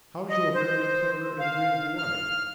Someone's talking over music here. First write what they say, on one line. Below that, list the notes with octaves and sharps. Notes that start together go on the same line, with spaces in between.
How's your very clever and agreeable wife?
D#5
C5
F5
F6